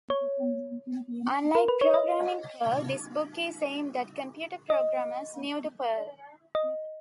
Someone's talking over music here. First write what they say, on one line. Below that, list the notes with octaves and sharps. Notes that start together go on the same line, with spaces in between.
Unlike "Programming Perl", this book is aimed at computer programmers new to Perl.
C#5
A#4
B4
C#5
D#5
D#5
D#5